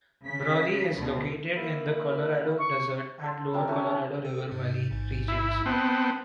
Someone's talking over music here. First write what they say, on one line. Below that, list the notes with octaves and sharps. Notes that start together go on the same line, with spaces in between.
Brawley is located in the Colorado Desert and Lower Colorado River Valley regions.
C#3 B6
D2 B2
A#3 E4 A#4
C#6
A4 C6
C3 F#3 G4 A#4
E3 C#4 A4 C#5
C#4
A4
G#2 C3
A1 G#2
E4
B3 C4 A5